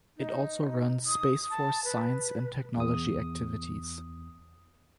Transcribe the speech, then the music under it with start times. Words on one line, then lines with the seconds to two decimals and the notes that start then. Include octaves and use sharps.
It also runs Space Force science and technology activities.
0.18 D#4
1.06 D#6
1.50 A5
1.85 B4
2.77 E2 D#6